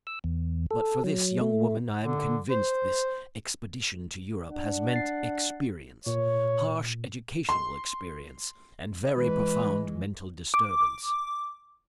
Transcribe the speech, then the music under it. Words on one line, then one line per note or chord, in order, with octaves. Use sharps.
But for this young woman I am convinced this expedition to Europe has meant experience, harsh educational experience and very profound mental disturbance.
E6
E2
A4
F#3
A3
D3
C5
D4 F#5
A6 C7
A#2 C#5
C6
E3 G#3 B4
D6